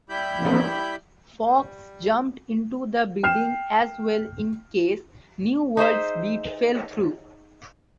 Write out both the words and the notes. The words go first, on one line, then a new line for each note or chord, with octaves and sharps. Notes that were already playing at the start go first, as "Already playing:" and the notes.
Fox jumped into the bidding as well in case New World's bid fell through.
G3 E4 G4 B5 G6
G3
G5 F6 C7 E7
D#4 G#4 C5 E5